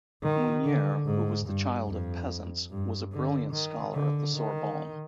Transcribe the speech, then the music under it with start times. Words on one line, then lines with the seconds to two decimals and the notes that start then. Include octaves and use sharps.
Mounier, who was the child of peasants, was a brilliant scholar at the Sorbonne.
0.23 D#3
0.65 D3
1.06 G#2
1.46 G2
1.87 F2
2.70 G2
3.12 D3
3.53 D#3
3.94 D3
4.35 D#3